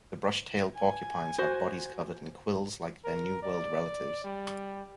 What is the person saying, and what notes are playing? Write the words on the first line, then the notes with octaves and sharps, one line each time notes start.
The brush-tailed porcupines have bodies covered in quills like their New World relatives.
G#5
F#4 C5
A#4
D5
G3